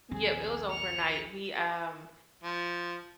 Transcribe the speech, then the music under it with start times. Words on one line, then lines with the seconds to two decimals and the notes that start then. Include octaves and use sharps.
Yep, it was overnight. We, um
0.11 A#1 D#2 C4 G#4
0.71 C#7 F7
2.43 F3